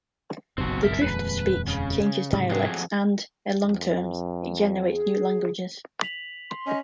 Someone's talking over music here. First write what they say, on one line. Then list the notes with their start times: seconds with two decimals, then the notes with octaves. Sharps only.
The drift of speech changes dialects and, in long terms, it generates new languages.
0.58 F#1 B1 G2 C4 F#4
0.83 A#4 E5
1.01 D#1 F2 G#3 B4
1.68 C#3
2.33 G#2 C3 G3
2.50 F2 F#3 G#4
3.66 F2
4.92 G#4
6.03 B6 F7 F#7
6.50 C6
6.67 C#4 D#5